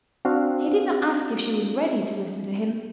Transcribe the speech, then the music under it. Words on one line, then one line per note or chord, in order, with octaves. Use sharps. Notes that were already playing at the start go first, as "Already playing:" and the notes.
He did not ask if she was ready to listen to him.
C4 D4 F#4 F5